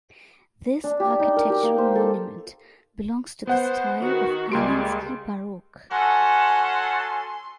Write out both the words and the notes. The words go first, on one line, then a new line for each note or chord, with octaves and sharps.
This architectural monument belongs to the style of "Anninsky Baroque".
D4
G4
D#4
A#4
G4
A#3
C5
A4
B3 C5 F#5
D#3 F#4
C#2 G3 G#3 A#3 C6 D7
C#4 F#4 A4 F#5 G#5 C6